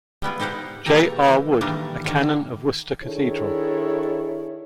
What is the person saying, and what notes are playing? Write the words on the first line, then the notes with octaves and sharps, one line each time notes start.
J. R. Wood, a canon of Worcester Cathedral.
G3 B3 E4 F4
D#4 G4 C5 F5 F#5
B2 G#3 A#3 G4 A4 A#5
E3
D#3 E3 G3 A3 A#3 D4
D3 D#3 A#3
D#3 D4 E4 G#4 A4 C#5